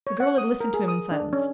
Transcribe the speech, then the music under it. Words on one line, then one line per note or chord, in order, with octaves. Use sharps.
The girl had listened to him in silence.
C#5
F#5
D#6
A#4
G#4
D#6
D4
C#4